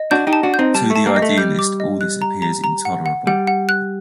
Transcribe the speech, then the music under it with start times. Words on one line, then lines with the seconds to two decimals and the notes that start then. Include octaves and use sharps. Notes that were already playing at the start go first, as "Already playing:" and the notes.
To the idealist all this appears intolerable.
Already playing: D#5
0.11 D4 F#4 G6
0.27 D#4 G4
0.33 A5
0.43 D4 F#4
0.54 G6
0.59 C4 D#4
0.74 G3 A5
0.90 A3
0.96 A5
1.06 G3 A#3
1.16 D#5
1.22 A3
1.38 G3 G6
1.59 D6
1.80 D#5
2.01 F#6
2.22 A#5
2.42 A#5
2.64 A#5
2.85 F#5
3.06 F#5
3.27 G3 F#5
3.47 F#5
3.69 F#6